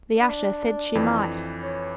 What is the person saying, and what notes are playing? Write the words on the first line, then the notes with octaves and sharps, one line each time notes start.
The usher said she might.
D4
F2 E3
C#5